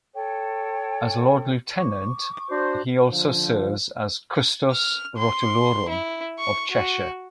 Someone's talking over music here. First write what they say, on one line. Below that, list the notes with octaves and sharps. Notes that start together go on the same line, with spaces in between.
As Lord Lieutenant He also serves as Custos Rotulorum of Cheshire.
A4 C#5 G5
C#6 D6
D4 F#4 C5
D3 F3
F6
C6
E4
C#6
F#4